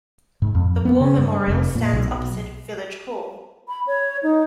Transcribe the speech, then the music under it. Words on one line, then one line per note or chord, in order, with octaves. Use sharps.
The War Memorial stands opposite Village Hall.
G#2
F2
B3
C#3
G2
F1
A#2
B1
B5
C#5
D#4